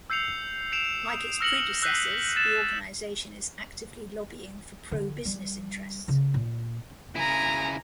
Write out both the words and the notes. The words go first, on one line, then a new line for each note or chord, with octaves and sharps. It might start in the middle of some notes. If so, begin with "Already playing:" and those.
Like its predecessors, the organisation is actively lobbying for pro-business interests.
E6 G6 C7 C#7 F7
G6 C7 D7 E7 F7
D#6
E6 F6 A#6 C#7 F7 F#7
E6 F#6 G6 B6 C7 D#7
A6 E7
D3
G3
C#3
A#2
C#3 E4 G#5 A#5